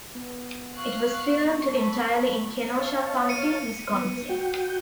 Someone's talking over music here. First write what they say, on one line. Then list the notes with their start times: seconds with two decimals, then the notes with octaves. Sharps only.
It was filmed entirely in Kenosha County, Wisconsin.
0.15 B3
0.77 F5 C#6 F#6
1.72 A4 B5
2.79 C#5 F5 A5
3.29 C#7 D#7
3.92 B3
4.29 F#4 G5